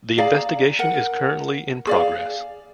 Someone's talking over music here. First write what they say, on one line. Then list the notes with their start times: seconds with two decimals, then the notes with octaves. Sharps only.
The investigation is currently in progress.
0.18 G#4 D5 F5 A#5
0.79 A#4 F#5
1.87 G#4 D5 F5